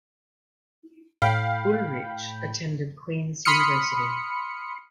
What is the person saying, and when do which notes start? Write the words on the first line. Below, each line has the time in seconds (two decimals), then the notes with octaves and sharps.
Ullrich attended Queens University.
1.22 A2 F5 G5 B5
3.45 B5 C6 D#6 F6 C#7